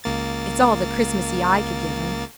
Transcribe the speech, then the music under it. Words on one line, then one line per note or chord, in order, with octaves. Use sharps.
It's all the 'Christmassy' I could give them.
C#2 A#3 A6